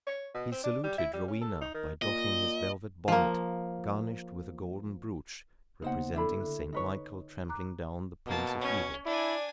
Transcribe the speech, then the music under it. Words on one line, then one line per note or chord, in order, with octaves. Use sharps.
He saluted Rowena by doffing his velvet bonnet, garnished with a golden broach, representing St Michael trampling down the Prince of Evil.
C#5
B2
C4
D4
G3
E4
G3
C#4
A4
D#4
D#3
A#2 D#5
F3 A#3
C#3 A#3 B3 D#4 C5 F#5
D4 E4 A4 E5 B5
D3 A4
D#4 B4 C#5
A#5 D6 F#6
B2 A#3 A5
C#4 C#5
D4 E4 D5 G#5